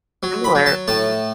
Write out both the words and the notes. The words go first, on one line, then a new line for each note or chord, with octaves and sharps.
similar. Mhm.
F#3
B5
F#3
A5
A2 A5